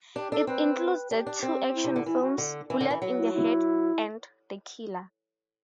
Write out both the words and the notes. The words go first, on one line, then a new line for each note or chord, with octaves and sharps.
It includes the two action films "Bullet in the Head" and "The Killer".
D4 G4
D4 A4
C4 B4
D4 G4
D4
C4
E4
C3
D3
E3 E4
F#4
D3
E3
D3
E3
F#3
E4
E4